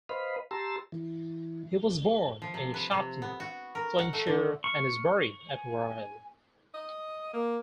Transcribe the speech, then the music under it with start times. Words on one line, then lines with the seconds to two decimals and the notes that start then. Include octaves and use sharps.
He was born in Shotton, Flintshire and is buried at Rhyl.
0.09 B4 C5 D#5 F5 B5
0.51 G4 A5 A#5 C6 E6
0.92 E3
2.42 F3
2.54 C3
2.74 B4
2.91 C3
3.22 B3
3.40 F#4
3.75 A#4
3.99 F#5
4.13 A3
4.27 D3
4.64 C#6 F6
5.48 G#5
6.74 D#5
7.33 A#3